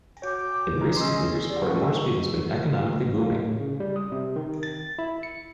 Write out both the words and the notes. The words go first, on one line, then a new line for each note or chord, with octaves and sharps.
In recent years Port Moresby has been economically booming.
F#4 C#5 D6 G6
G#3 A#5
C#4 G#4 D#5 C6 E6
G4 D5
C#3 F3 F#5 C#6
E6
A1
A#3
A2
C#3
G3
D#6
C3
D#3
A6
E4
C#7